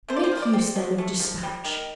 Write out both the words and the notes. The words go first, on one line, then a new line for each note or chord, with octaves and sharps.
Make use then of despatch.
A3 C5
D5
C5
F3
C5
D5
C4
F3
A3
F3
G3
D#3